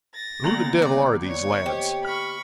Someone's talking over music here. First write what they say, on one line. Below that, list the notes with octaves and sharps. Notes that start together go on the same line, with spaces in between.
Who the devil are these lads?
A6 A#6
C2 D3 A#3 B3 A#5 F#7
D5
C#5
G4 C5 D#5
B5 C#6 F6